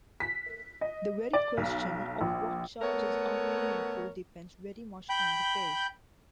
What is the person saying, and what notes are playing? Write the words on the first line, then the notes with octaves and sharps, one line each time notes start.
The very question of what charges are meaningful depends very much on the phase.
B6
D#5
D5
B1
A#1
A3 B3 A#4 C#5
G5 B5 G6